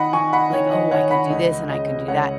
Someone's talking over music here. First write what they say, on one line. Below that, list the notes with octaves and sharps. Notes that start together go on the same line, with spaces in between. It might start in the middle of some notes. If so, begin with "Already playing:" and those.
like, "Oh, I could do this and I could do that,"
Already playing: D#3 D#5 F#5 B5
D#3 G#5 C#6
F#5 B5
D#3 C#5
D#5
D#3 C#5 F#5
F#5 B5
C#2 D#5
C#3 D#5
C#2 C#5 F#5